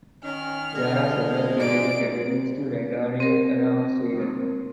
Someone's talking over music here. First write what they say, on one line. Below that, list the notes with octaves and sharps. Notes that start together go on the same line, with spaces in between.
There are several periodic gatherings for raggare around Sweden.
D#3 C#4 F6
D3 G#3
G#2 F3 G#3 D5 D7
C4 A#4